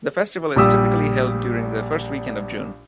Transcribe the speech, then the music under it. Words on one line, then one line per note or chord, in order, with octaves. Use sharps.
The festival is typically held during the first weekend of June.
A#1 A#2 G3 G4 D#6 E6